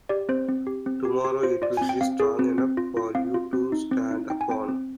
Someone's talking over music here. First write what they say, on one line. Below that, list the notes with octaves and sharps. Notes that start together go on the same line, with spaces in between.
Tomorrow it will be strong enough for you to stand upon.
G4 D5
C4 C5
C4
G4
C4
G4
G4
F4 C5
F4 D5
C4 G#5
G5
C4 F5
G#4
C4
C4
F4
F4
C4 F5
F4
C4
D#4
C4
D#4
D#4 G5
G#5
C4 G5
C4